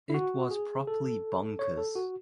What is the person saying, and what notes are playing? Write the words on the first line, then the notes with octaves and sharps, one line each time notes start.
It was properly bonkers.
E4
F#4
G#4
A4
C#5
A4
F#4